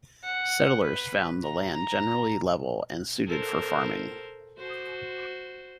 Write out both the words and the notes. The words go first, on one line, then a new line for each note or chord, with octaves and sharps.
Settlers found the land generally level and suited for farming.
F#5
B4
A#5
A#5
A4 A#4 C5
F#4 C5